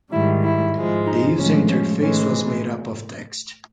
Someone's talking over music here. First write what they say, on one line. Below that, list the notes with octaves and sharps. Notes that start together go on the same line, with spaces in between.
The user interface was made up of text.
G#2 D#3 G3 E4
E4
G#2 F3 G#3
D#4
A2 F3 G#3 C#4
C#4
A2 E3 G#3 C#4